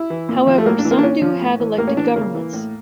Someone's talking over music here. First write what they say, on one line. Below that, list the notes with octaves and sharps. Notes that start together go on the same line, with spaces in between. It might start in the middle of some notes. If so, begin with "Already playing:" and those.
However, some do have elected governments.
Already playing: E4
E3
A#2
F3
A3
A2 A#3
D4
E3
A#3
D4
A#2 C#4
F3
A2
E3
A2 A#3
C#4
E3 D4
C#3 A#3
E3
A2